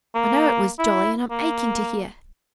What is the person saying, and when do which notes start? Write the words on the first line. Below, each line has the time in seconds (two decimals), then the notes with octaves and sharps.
I know it was jolly, and I'm aching to hear.'
0.15 A#3
0.79 E4
1.30 A#3